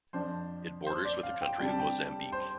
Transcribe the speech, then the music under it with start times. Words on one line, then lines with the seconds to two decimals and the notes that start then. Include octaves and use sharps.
It borders with the country of Mozambique.
0.13 F2 F3 D4 C5
0.87 C5
1.05 D5
1.23 F5
1.41 G5
1.59 C3 G3 D4 G5
1.69 A5
1.80 G5
2.32 C5